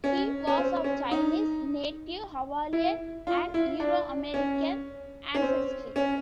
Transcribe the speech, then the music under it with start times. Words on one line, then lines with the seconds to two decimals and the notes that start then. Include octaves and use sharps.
He was of Chinese, Native Hawaiian, and Euro-American ancestry.
0.04 C#4
0.47 C#4
0.58 C4
0.84 C#4
1.11 D#4
2.73 E4
3.27 F4
3.54 E4
3.80 D4
4.34 C#4
5.35 C#4
5.42 C4
5.96 C#4